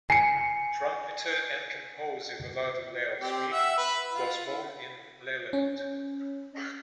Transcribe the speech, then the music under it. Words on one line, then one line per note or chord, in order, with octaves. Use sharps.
Trumpeter and composer Wadada Leo Smith was born in Leland.
G#5 C7 C#7
C4 G4
E5 F#5 E6
B4
F4
E4
C#4